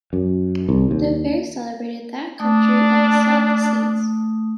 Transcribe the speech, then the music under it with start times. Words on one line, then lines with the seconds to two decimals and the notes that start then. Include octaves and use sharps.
The fair celebrated that country and the South Seas.
0.13 F#2
0.69 C2
0.91 D#2
2.39 A3 D4 D#6